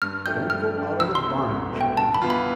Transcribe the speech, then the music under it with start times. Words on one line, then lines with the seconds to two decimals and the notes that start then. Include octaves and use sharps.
'Don't go out of the barn, children.
0.02 G2 F6
0.26 F3 A3 D4 G4 G6
0.50 G2 F6
0.75 F3 A3 D4 G4
0.99 C2 E6
1.15 C6
1.24 B2 A3
1.49 C2
1.73 B2 A3
1.81 G5
1.97 G2 A5
2.14 B5
2.22 E3 B3 F4
2.30 B5